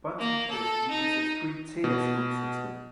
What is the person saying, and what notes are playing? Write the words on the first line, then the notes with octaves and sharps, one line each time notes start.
Buntingford uses a three-tier school system.
A#3
A4
D#4
B2